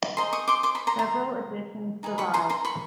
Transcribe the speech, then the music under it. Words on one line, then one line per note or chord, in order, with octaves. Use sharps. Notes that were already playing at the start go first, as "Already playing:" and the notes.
Several editions survived.
G#4 C5 D#5 A#5 C6
C#6 D#6
C6 D6
C6 D6
B5 C#6
A#5 C6
A#5 C6
D#4 G#4 B4
B5 C#6
A#5 C6
A#5 C6
B5 C#6